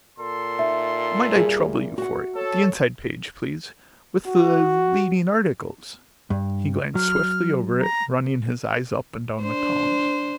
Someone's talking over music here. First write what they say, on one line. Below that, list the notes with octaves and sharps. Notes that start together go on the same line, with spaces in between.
"Might I trouble you for it--the inside page, please, with the leading articles?" He glanced swiftly over it, running his eyes up and down the columns.
A#2 A4 C6
D#4 E5
G3 G#4
F#4 F#5
A4 C#5
F#4
G2
F#3 F6
A#5
D4 C5